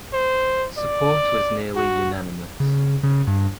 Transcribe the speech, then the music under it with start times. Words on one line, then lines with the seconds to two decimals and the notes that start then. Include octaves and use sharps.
Support was nearly unanimous.
0.13 C5
0.78 D5
1.76 F#4
2.60 C#3
3.03 C#3
3.27 G2